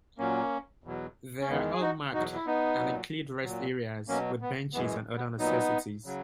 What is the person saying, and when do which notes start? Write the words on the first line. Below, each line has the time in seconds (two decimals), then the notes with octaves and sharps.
They are all marked and include rest areas with benches and other necessities.
0.18 A#2 F#3 A#3 C#4
0.84 E2 B2 F#3
1.41 C#4
1.49 E2 D#3 G#3 B3
1.73 G#4
1.81 D#4 F#4
2.13 E2 B2 F#3 D#4 F#4
2.35 E4
2.46 B3 D#4
2.79 A#2 F#3
3.43 A#2 F#3
4.08 B2 F#3 A#3 C#4
4.41 B3
4.73 F#2 E3 G#3 B3
5.17 B3
5.38 A#2 F#3 B3 D#4
6.05 C#3 F#3